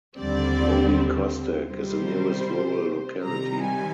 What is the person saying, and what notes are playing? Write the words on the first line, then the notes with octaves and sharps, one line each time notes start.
Novy Kostek is the nearest rural locality.
D#2 D3 G3 C4 D5
C3 D#3 G3 C5
C3 D#3 G3 A#5
G#5